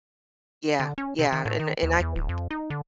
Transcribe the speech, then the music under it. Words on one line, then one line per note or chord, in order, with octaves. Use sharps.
Yeah, yeah, and and I can
D3
C#4
C3
D#3
A2
D#3
D#2
E2
D1
F2
D#4
D3